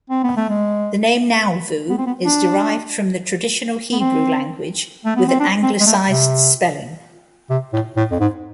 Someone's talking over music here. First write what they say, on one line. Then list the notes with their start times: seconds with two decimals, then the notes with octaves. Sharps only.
The name Nauvoo is derived from the traditional Hebrew language with an anglicized spelling.
0.10 C4
0.24 B3
0.37 A3
0.50 G#3
1.90 B3
1.98 C4
2.07 B3
2.25 D4
3.92 B3
4.00 C4
5.06 A3
5.16 B3
5.28 C4
5.40 D4
5.63 C4
5.80 G#3
5.87 A3
6.10 C3
7.50 C3
7.73 A2
7.97 A2
8.11 F2
8.20 G#2